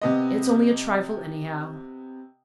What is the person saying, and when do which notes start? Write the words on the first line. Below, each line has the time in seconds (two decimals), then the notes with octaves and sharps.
It's only a trifle, anyhow.
0.02 C3 B3 D#5